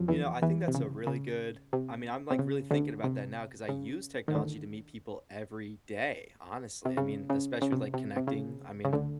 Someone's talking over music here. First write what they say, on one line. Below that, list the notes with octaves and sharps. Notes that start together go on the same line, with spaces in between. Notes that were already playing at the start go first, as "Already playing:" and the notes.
You know, I think that's a really good I mean, I'm, like, really thinking about that now 'cause I use technology to meet people every day, honestly, I mean, especially with, like, connecting, I mean,
Already playing: F2 F3 F#3
E2 E3
E2 E3
C3
C#3
C#3
C3
C3
C#3
D2 D3
C3
C#3
D#3
D2 D3
C3
C#3
C#3
C#3
C3
C3
C3
C#3
C#3
D2 D3